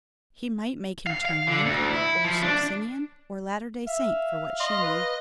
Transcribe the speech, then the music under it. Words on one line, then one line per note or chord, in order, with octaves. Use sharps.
He might make him turn monk, or Socinian, or latter-day-saint, for what she knew!
F5
F5
D3
D2
E4
F3
D4
E5 F5
D#5 C6
B4